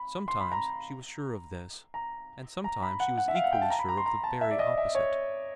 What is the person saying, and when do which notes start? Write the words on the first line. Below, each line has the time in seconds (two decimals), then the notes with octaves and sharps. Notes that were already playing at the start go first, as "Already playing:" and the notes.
Sometimes she was sure of this, and sometimes she was equally sure of the very opposite.
Already playing: B5
0.28 C6
0.40 B5
0.52 A#5
1.94 A#5
2.64 A#5
2.82 B5
3.00 F#5
3.18 F#5
3.28 E5
3.35 F5
3.44 F#5
3.52 G5
3.62 A5
3.70 A#5
3.79 B5
3.89 A#5
3.98 C6
4.06 A#5
4.24 A5
4.41 E5
4.51 D5
4.59 D#5
4.78 E5
4.95 C#5